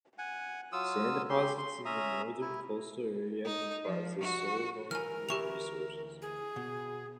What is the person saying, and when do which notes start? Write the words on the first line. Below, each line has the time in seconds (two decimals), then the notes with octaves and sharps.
Sand deposits in the northern coastal area comprise the sole known mineral resources.
0.18 F#5 G#5
0.72 F#3 F4 D#6 E6
1.29 G4 C6
1.58 C6
1.85 C#4 E5 A#5 D#6
2.41 E4
3.44 D#4
3.84 F3
4.21 F#4
4.91 E3 A#4 G#5 F6
5.29 D2 E3 G4 E5 C#6 F7
6.22 G#4
6.56 B2